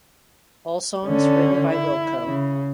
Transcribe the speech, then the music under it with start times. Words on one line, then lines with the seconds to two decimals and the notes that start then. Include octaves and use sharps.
All songs written by Wilco.
1.06 D3 C#4
1.74 E4
2.25 C#3